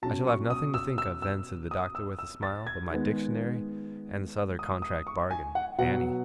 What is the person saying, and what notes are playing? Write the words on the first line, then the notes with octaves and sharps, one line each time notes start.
'I shall have nothing to think of then,' said the Doctor, with a smile, 'but my Dictionary; and this other contract-bargain--Annie.'
B2 F#3 C#4 A5
C#6
D#6
E6
E6
E6
D#6
E6
E6
A6
G#6
D#3 G#3 B3
D#6
D#6
C#6
G#5
F#5
B2 F#3 B3 F#5